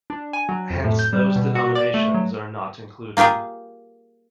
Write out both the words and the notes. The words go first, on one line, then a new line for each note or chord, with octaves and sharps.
Hence those denominations are not included.
D4
G#5
F#3
F2
A2
G6
G3
B2
F#4
D5
A3
F#3
A#3 F4 G4 G#4 A#4